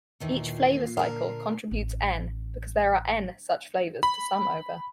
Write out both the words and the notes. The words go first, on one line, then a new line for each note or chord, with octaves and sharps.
Each flavor cycle contributes N because there are N such flavors to sum over.
D#2 A#2 D#3 E3 C7
D3 A#4
A1 F4
B5